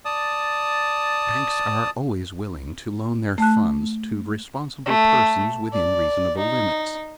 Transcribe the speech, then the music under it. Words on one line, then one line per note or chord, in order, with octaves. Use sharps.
Banks are always willing to loan their funds to responsible persons within reasonable limits.
D5 A5 D#6
A3 A5 F#6
A3
D5
D#4